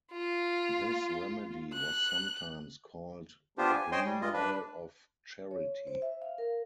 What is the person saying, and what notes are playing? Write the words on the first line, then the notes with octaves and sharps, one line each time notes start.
This remedy was sometimes called the "Green Oil of Charity".
F4
F#6
B3 D4 F4 G4 C5
G#5
C5 C#5 D#5 G5 G#5 C6
G3
G2 G#3 F4 D#5
D4 B4
C#5
C5
E5
F5
A#4